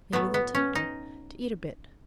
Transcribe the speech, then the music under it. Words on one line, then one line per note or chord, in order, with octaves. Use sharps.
Maybe they'll tempt her to eat a bit.
A2 F#3 A3 B3
B3
C#4
D#4